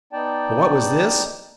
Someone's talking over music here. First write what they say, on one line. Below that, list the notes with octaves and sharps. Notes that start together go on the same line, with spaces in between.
But what was this?
B3 D#4 D5 G5 A5